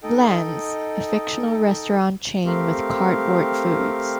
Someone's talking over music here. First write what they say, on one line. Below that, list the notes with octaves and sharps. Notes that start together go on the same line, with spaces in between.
Bland's, a fictional restaurant chain with cardboard foods.
D#4 A4 D#5 G5
A3 C4 G4 A#4 F5